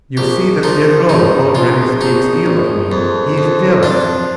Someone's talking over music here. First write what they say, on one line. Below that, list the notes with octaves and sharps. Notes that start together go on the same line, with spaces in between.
"You see that Gevrol already speaks ill of me; he is jealous."
A#1 G4
F3 D#4
A#1 D#4
A#1 F4
A#1 D#4
A#1
F2
F2
F3 D4